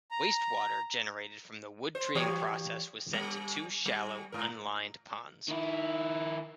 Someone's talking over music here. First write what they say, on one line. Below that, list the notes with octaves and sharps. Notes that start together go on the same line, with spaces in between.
Wastewater generated from the wood-treating process was sent to two shallow, unlined ponds.
A#5
C5
E3 G4 C#5
G3
G3
G#2 A#4
D#3 E4